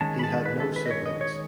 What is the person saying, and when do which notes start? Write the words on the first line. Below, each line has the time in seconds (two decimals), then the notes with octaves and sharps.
He had no siblings.
0.01 D#3 G#3 C#4 A5
0.19 B5
0.24 A5
0.46 B4
0.60 A4
0.76 B4
0.86 D#5
0.91 C#5
1.06 D#5
1.21 C#5